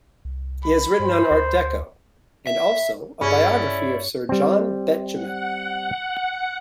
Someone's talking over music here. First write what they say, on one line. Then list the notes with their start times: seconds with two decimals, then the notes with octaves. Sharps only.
He has written on Art Deco, and also a biography of Sir John Betjeman.
0.25 C2
0.63 B5
1.00 G2 C5
1.31 D2
2.47 E5
3.21 G2 C#4 E4 G#4 D5
4.29 G3 C4
5.11 F#5